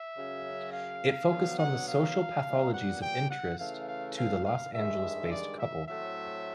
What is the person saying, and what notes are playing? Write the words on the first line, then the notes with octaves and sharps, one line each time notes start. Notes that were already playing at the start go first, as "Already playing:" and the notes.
It focused on the social pathologies of interest to the Los Angeles-based couple.
Already playing: E5
F#2 C#3 F#3
F5
D3 F#3 B3
F#5
F5
A#2 G3 B3
F#5
G5
F#5
C#3 E3 A3 F5
F5
F5
F5
G2 D#3 G#3 E5
D5
E5
A2 F#3 A3 C4 E5